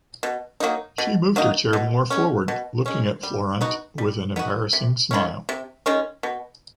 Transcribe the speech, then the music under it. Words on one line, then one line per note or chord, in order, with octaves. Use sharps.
She moved her chair more forward, looking at Florent with an embarrassing smile.
B2
F#3 A#3 D#4
B2
F#3 A#3 D#4
B2
G#3 C#4
B2
G#3 C#4
G3
B3 D#4 F#4
G3
B3 D#4 F#4
C3
D#3 G#3 C#4
C3
D#3 G#3 C#4
B2